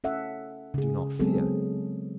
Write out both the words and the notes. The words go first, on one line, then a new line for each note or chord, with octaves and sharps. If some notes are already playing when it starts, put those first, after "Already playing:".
Do not fear.
C#4 A4 E5 F#5
C#3 G#4
F#3 G#3 B3 C4 G#4 A4